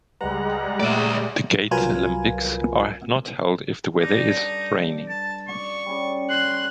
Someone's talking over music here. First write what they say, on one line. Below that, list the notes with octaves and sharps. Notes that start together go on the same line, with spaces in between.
The Gatalympics are not held if the weather is raining.
C#2 G3 G#3 B4 F#5 A#5
A#2 A3 D5 E5
C2 F#3 F4 A#4 B4 G#5
G2 D#4 A4 D5
A5
F#4 D5 C#6
G3 C#4 A4
C6 F#6